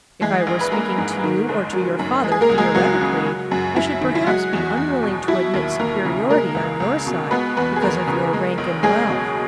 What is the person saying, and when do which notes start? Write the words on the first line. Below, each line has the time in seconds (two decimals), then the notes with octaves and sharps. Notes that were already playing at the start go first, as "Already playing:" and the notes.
If I were speaking to you or to your father theoretically I should perhaps be unwilling to admit superiority on your side because of your rank and wealth.
0.21 E3 G#3 G#4
0.47 A#1
0.61 B4
0.72 G#3 A#3 A#4
0.98 G#2
1.24 D#3
1.49 F#1
1.73 F#3
1.99 F#2
2.24 G#3
2.32 G#4
2.41 A#3 A#4
2.49 C#2
2.58 G#3 G#4
2.74 C#2 F#3 F#4
3.01 C#3
3.26 F#3
3.51 F#2
3.76 F#2 E4
4.01 D#3
4.15 E4
4.27 F#3 G#3 F#4
4.53 E2
4.77 E2
5.03 B2
5.28 F#3 E4
5.54 D#2
5.79 D#2 A#3 A#4
6.05 C#3
6.30 G#3 A#3 A#4
6.55 C#2
6.80 C#2
7.06 B2
7.31 G#3 B3 B4
7.57 E2 B3 B4
7.76 G#4
7.82 E2 A#3 A#4
8.08 C#3
8.33 G#3
8.58 B1
8.83 B1 G#3 G#4
9.09 B2